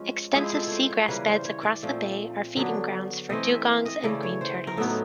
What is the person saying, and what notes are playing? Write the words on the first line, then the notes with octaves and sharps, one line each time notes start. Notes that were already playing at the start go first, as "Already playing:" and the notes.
Extensive seagrass beds across the bay are feeding grounds for Dugongs and Green Turtles.
Already playing: F3 G#3 C#4
F3 G#3 C4 E4 G#4
A4
C5 C#5
C#5
C#3 E3 G3 A#3 B4
C5
C#5
D5
A#2 F3 A3 C4
D3 F#3 B3 D4
E3 A3 C4 E4 D#5
E5
D#5
C#3 E3 A3 D5
C#5
C5
A#4
A2 F#3 B3 D#4 A4